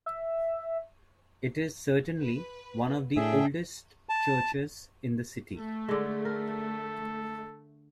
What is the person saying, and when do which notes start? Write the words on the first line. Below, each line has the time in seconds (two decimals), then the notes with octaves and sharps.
It is certainly one of the oldest churches in the city.
0.06 E5
2.19 B4
3.16 A2 D4 G#4 E5 G5
4.09 A5
5.57 A3 A4
5.89 D3 G#3
6.25 A4 A#4